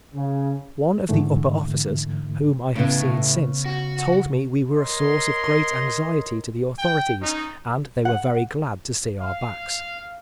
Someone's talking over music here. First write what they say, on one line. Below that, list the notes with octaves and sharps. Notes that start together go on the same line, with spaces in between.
One of the upper officers, whom I have seen since, told me we were a source of great anxiety to the authorities, and they were very glad to see our backs.
C#3
G#2 D3 E3 A3
A2 C#3 B3
F#4
A#4 C#5 D#5 C6
G5
C#4 D#4
F#5
F5